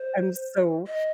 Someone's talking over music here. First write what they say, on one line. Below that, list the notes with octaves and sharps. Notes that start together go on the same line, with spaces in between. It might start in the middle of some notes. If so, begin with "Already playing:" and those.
I'm so
Already playing: C5
D#5